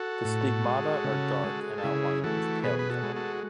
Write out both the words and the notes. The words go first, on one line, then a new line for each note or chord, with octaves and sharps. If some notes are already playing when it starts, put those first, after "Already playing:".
The stigmata are dark and outlined with pale yellow.
Already playing: F#4 A4
A2
G#3
C#3
G#3
A4
C#3 E4 G#4
E3 A3 F#4 A4
B2 G#4 B4
B4
F#4 A4
G#3
F#4 A4